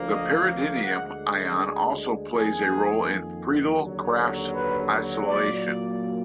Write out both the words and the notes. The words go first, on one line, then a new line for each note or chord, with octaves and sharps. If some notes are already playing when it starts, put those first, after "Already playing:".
The pyridinium ion also plays a role in Friedel-Crafts acylation.
Already playing: D2 D3 F3 A#3
D#5
D2 D3 G#3 F#5
G#4
F2 D#3 A#3 G#4
D#2 D3 F#3
B4
A#2 F#3 A#3 D5